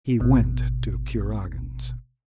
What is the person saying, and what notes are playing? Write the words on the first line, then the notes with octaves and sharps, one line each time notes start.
He went to Kuragin's.
G#1 B2